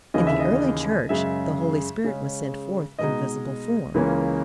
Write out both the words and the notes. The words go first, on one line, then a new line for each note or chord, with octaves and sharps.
In the early Church the Holy Spirit was sent forth in visible form.
D#2 C#3 E3 D#5
E5
D#5
F#2 C#3 G#3 E5
C#3 G#3 C#4
B2 G#3 D#4 D#5
C#2 C#3 E3 A#3 C#4